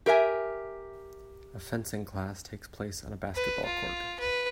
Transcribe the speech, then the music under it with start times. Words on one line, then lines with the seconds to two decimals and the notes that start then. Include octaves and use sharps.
A fencing class takes place on a basketball court.
0.06 G4 A#4 E5 G#5
3.35 B4
3.65 F4
4.20 B4